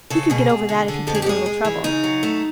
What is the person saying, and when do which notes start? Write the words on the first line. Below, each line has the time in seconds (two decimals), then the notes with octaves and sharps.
He could get over that if he'd take a little trouble.
0.10 C#3 A4
0.30 B2 G#4
0.49 B2
0.69 D3
0.88 D3
1.07 F2 A4
1.15 G#4
1.22 G4
1.26 G#3 G#4
1.46 G#3
1.65 E3
1.84 C#3 D#4
2.04 F#3
2.23 A3